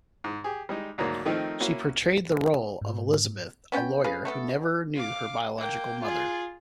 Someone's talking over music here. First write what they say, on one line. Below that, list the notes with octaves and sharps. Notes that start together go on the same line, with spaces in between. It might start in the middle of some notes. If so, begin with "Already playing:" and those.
She portrayed the role of Elizabeth, a lawyer who never knew her biological mother.
G#2
G4 G#4
G3 G#3 D#4
D2 G#2 F#3 A#3
D#3 F3 A3 C4 D#4
A#3 C#4 E4 F#4 F#5
G#2
B3 C#4 F#5 G5
C#3 G#4 B4 F5
A3 B3 F#4 A4
B2
F5 D6
A#3 G5
F4 G#4